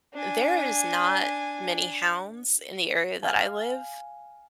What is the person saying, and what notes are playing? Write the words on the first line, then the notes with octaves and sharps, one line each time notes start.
there is not many hounds in the area that I live.
D4 G#5
F5 G#5